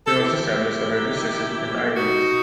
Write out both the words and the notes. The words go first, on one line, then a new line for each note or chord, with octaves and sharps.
He also established a radio station in the islands.
A4
F#2 E4 G4
A3
F#3
D#3
F#2
A3
B2 D#4 F#4
B2